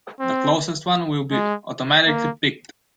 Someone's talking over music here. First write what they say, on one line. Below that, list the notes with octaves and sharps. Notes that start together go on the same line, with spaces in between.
The closest one will be automatically picked.
C4
G#3
A#3